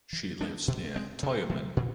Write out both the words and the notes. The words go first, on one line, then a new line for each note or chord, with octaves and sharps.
She lives near Tyumen.
E3
G#3 B3 D4
B2
G#3 C4
C#3
E3 A3
A#2